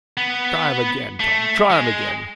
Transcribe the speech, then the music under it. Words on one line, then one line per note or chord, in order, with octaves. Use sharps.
'Try 'em again, Tom; try 'em again.'
B3
A3
G#3